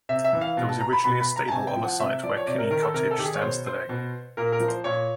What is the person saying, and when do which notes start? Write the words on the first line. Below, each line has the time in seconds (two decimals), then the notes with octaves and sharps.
There was originally a stable on the site where Kinney Cottage stands today.
0.09 C3 E5
0.24 E5
0.33 E3
0.41 F5
0.57 B2
0.69 A5
0.81 A#5
0.93 B5
1.04 B2 B5
1.20 B5
1.36 A#5
1.48 A5
1.51 C3 G#5
1.67 G5
1.76 F3
1.83 F#5
1.99 C3 E5
2.23 F3 D5
2.37 C#5
2.46 C3 D5
2.58 A#4
2.71 D#3 A#4
2.83 A4
2.94 C3 A#4
3.11 A4
3.18 D#3 G4
3.26 G#4
3.34 C#5
3.41 B2 C5
3.66 C5
3.89 B2
4.37 A#2 A#4
4.52 A#4
4.60 F3
4.68 C5
4.84 A#2 C#5